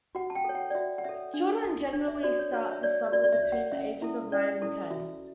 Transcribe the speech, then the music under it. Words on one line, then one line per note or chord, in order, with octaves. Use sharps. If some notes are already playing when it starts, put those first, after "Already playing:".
Children generally start this level between the ages of nine and ten.
F#4 F#5
A5
G5
A4 C#5
F#5
D5
F#4 E5
F#5
A4 C#5 E5
D4
F#4 A4
D4
E5
F#4 A4 D5
C#5
F#4 C#5
E5
C#5 D5
F#4 D5
D5
E5
C#5
F#5
C#4 E5
E4 A4 E5
C#4 D5
E4 A4
F#4 E5